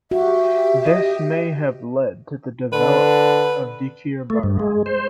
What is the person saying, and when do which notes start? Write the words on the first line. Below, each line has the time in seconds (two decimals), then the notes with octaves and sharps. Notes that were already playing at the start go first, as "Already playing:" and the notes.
This may have led to the development of dikir barat.
0.11 F#4 G4 E5
0.86 D#5
2.73 D3 B4
4.30 A3
4.43 G2
4.59 G#3
4.86 C5